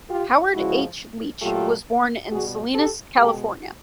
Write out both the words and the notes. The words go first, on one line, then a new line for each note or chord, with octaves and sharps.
Howard H. Leach was born in Salinas, California.
F4 G4
C#3 F3 G#3 E4 F#4
A#2 F#3 A3 F4 G4
B2 G3 F#4 G#4
G4 A4
B2 G#3 G4 A4